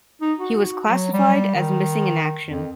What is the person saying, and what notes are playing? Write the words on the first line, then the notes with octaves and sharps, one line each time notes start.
He was classified as missing in action.
D#4
F#4
F#3
G3
D#3
F2